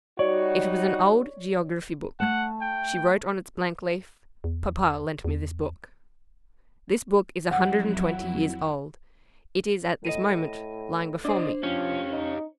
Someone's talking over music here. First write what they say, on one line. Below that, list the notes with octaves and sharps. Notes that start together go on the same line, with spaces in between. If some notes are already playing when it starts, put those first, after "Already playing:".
It was an old geography-book; she wrote on its blank leaf, 'Papa lent me this book.' This book is a hundred and twenty years old; it is at this moment lying before me.
G3 D#4 F#4 C#5 D5
A3 F#5 A5
G5
E2
E2
F2 F#3 E4 F#5
A2 D#5 A#6 D#7
D4 C5 D5 D#5
F3 C#4 G4 F5
D#4